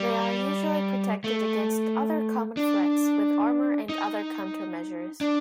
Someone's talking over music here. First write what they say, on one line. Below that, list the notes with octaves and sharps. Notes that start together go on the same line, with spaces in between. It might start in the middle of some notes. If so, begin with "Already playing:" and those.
They are usually protected against other common threats with armor and other countermeasures.
Already playing: G3
A3
D4
D#4
D4